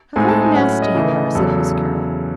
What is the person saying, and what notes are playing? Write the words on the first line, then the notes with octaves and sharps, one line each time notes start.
"How very nasty you are!" said Miss Carroll.
A2 G#3 C4 D#4 G#5
A5
G#5
A2 F#3 C#4 F#5
D#5
C#3 E3 A3
E2 C#3 F#3 A4